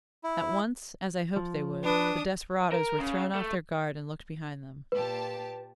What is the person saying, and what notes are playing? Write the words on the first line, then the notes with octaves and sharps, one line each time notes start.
At once, as I hoped they would, the desperadoes were thrown off their guard and looked behind them.
E4
F3
D4 B4 D#6
A#4
C#3
A3
A#2 G4 B4 A5